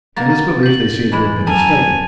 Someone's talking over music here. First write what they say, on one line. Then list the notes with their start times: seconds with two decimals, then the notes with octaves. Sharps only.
In this belief they seem to have been mistaken.
0.17 A#3 F#4 A#4 A6
0.63 G6 F#7
1.12 E3 G#3 E4
1.47 F#2 A4 A#4 G#5 A5 F7